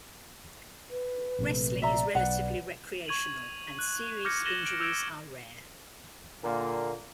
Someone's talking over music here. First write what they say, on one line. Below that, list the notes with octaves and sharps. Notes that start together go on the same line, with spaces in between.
Wrestling is relatively recreational, and serious injuries are rare.
B4
A#1 C3 A3
D5 E5 A#5
B1 B4 F#5
C#6 G#6 D#7 F7 F#7
F#6
D6 F6 G6 G#6 A#6 C#7
A6 A#6 D#7 E7 F#7 G7
D7
E6 F6 G6 G#6 D7 E7
A#2 D3 A#3